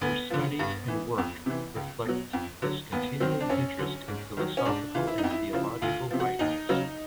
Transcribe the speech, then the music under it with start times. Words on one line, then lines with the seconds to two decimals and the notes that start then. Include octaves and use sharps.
Her studies and work reflect this continuing interest in philosophical and theological writings.
0.01 D2 B3
0.30 D3 F3
0.59 G2
0.88 E3
1.18 F2
1.46 C3 E3
1.76 C#2
2.05 B2 F#3
2.33 F2
2.62 D3 F#3
2.92 D#2 B3
3.20 D#3 F#3 C4
3.41 D4
3.49 F#2 C#4
3.79 D3 F#3
4.08 G#2
4.37 D#3 F#3
4.57 C#4
4.65 G#2 D4
4.95 E3 F4
5.07 E4
5.18 D#4
5.24 F2
5.30 E4
5.53 C#3 F3
5.82 D2 F4
6.10 C3 F3
6.20 F#4
6.39 D#2 D#4
6.69 C#3 F#3